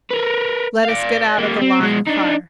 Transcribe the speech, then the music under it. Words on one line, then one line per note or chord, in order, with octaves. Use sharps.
"Let us get out of the line of fire."
A#4 B4
D5 F5
G3 A#3
C4
B2 G#3
D4 D#4